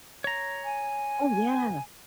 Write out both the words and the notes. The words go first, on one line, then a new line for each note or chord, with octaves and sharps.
Oh, yeah.
C#5 A#5
G#5